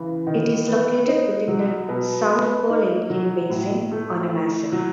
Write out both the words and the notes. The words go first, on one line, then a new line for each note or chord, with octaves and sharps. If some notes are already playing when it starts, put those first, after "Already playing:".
It is located within the South Pole-Aitken basin on a massif.
Already playing: C#3 E3
D#3
B3
D#4
F#3
B2
B3
D#4
F#3
A2
A3
E4
F#3